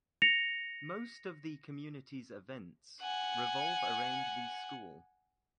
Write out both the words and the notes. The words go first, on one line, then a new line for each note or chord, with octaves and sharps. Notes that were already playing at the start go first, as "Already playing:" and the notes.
Most of the communities events revolve around the school.
A#6 C#7 F7
F#5 G#5